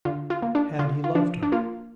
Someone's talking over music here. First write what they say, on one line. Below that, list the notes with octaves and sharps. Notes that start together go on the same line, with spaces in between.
Had he loved her?
D3 F4
F4
A#3
D4
D3 F4
F4
F3 D4
D4
A#3 F4